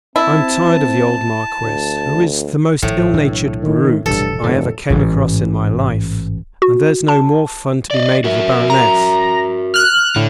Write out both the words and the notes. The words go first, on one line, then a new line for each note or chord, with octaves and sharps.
I'm tired of the old Marquis who is the most illnatured brute I ever came across in my life, and there's no more fun to be made of the Baroness.
C4 E4 A5
D2
G#1 A2 F3
B1 E3 D4
D#3
F1 G2 B2 E3 A4
F1 G2 D3
A1 G#2
F#4
A5
D5 D#5
F#4 A#4 E5
A#5
F6 F#6
A2 D3